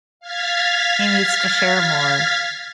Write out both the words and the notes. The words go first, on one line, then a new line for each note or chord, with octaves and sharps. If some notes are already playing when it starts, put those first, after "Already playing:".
he needs to share more."
F5 F6 G#6 A6 B6